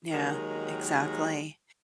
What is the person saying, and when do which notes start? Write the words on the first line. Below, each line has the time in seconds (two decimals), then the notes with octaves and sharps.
Yeah, exactly.
0.12 D#2 D#3 F#3 G#3 A#4